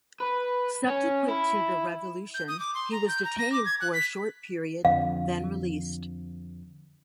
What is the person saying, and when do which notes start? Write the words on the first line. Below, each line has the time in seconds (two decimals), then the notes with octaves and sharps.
Subsequent to the revolution he was detained for a short period then released.
0.20 B4
0.87 C#4
1.28 E4
2.34 G6
2.48 D#6
2.60 D6
2.75 C6
2.92 A#5
3.09 G6
3.25 A#5
3.39 A#6
3.52 D6
3.65 G#6
3.81 F#6
3.94 B6
4.85 F2 D3 F5